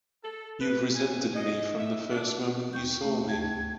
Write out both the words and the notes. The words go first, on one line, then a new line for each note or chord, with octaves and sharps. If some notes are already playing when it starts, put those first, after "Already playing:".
You've resented me from the first moment you saw me!
A4
B4
G#5
D#5
E5
D4
D#2 C#6 G6
A3
D2 G5 A5 G#6